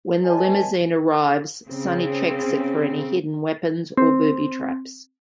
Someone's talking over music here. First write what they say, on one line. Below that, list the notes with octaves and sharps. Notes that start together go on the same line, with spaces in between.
When the limousine arrives, Sonny checks it for any hidden weapons or booby traps.
A4 B4 C#5 D#5 G#5 A5
C#3 C4
C4